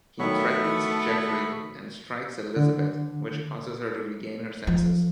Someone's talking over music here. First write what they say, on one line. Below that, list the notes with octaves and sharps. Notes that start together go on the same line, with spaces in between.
He threatens Jeffrey and strikes Elizabeth, which causes her to regain her senses.
D#3 F#3 A3 B3 E5 B5 C#6
D3
F3